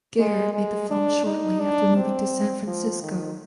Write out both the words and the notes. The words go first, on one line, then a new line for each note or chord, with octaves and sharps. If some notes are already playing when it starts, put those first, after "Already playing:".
Gehr made the film shortly after moving to San Francisco.
G#3
G#3
D4
D#4
D4
C4
F3
D#3